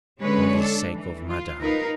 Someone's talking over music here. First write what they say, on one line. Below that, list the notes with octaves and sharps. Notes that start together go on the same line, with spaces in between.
For the sake of Madame.
D3 G#3 C#4 B4 C#5
D4 A4
E3
F4
D#4 A#4 B4 F5